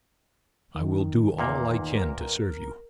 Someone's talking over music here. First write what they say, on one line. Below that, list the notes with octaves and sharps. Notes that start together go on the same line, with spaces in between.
I will do all I can to serve you.
D#3
E2 A#2 A#3
A#4